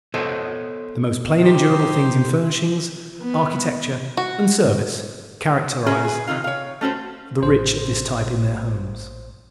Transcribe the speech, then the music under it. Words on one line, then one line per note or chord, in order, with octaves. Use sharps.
The most plain and durable things in furnishings, architecture and service characterize the rich of this type in their homes.
B3 A4 C5 C#5 D#5
D#4 G4 C5
B3
F#4
G#2 D3
C#4 F#4 G#4 A#4 B4
G#4 B4
C3 D#3 F4 F5
C#5 F5
A3 C#4 F#4 C5
A1 C5